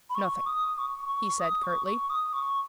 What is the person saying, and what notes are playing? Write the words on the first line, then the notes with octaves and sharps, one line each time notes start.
"Nothing," he said curtly.
B5
C#6
D#6
C#6
C#6
D#6
C#6
C#6
D#6
C#6